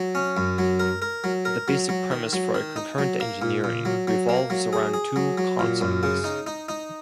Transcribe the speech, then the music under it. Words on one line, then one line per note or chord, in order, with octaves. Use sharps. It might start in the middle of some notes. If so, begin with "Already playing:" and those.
The basic premise for concurrent engineering revolves around two concepts.
Already playing: F#3
C#4
F#2
F#3
A#4
A#4
F#3
A#4
F#3
F#3
D#3
F#3
D#3
D#4
F#3
A#3
A#2
A#2
F#3
F#3
A#3
F#3
G#4
G#4
F#3
F#3
A#2
F#2
C#3
D#4
D#4
D#4